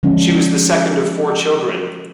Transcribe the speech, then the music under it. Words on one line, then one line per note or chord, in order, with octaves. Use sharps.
She was the second of four children.
D3 F3 G#3 C#4 D4